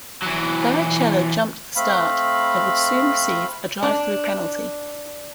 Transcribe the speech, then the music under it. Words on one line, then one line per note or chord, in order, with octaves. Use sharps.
Barrichello jumped the start, and would soon receive a drive-through penalty.
E3 F#3
A3 C4 F5 B5
D4